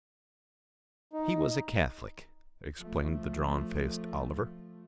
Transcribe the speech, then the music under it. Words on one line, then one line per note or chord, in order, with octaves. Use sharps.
"He was a Catholic," explained the drawn-faced Oliver.
D#4
F3 A3